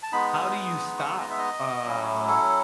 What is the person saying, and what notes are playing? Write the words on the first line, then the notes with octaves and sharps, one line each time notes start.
How do you stop, uh,
A5
G#3 B3 D#4 B5
D#6
D#6
C#6
D#5
E5
D#5
F#3 C#4 E4
A4